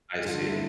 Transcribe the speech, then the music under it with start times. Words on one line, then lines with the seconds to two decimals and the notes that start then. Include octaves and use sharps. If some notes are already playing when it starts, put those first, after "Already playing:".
I see.
0.24 G2 D3 F4
0.49 E4